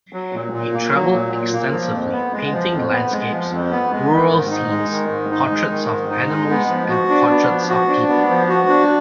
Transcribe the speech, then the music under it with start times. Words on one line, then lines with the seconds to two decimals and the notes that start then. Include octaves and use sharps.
He traveled extensively painting landscapes, rural scenes, portraits of animals, and portraits of people.
0.13 F#3
0.33 A#2
0.53 A#2
0.73 A#3
0.93 F#3
1.13 A#2
1.33 A#2
1.53 A#3
1.72 F3
1.92 F2
2.12 B3
2.33 G#3
2.52 F3
2.72 F2
2.92 B3
3.12 G#3
3.31 F3
3.52 F2
3.71 B3
3.92 G#3
4.11 D#3
4.31 G#2
4.51 D#4
4.70 G#3
4.91 D#3
5.10 G#2
5.31 D#4
5.50 G#3
5.70 D#3
5.90 G#2
6.10 D#4
6.29 G#3
6.50 B3
6.69 F3
6.89 F#4
7.09 D4
7.29 B3
7.49 F3
7.69 F#4
7.89 D4
8.09 B3
8.29 F3
8.49 F#4
8.68 D4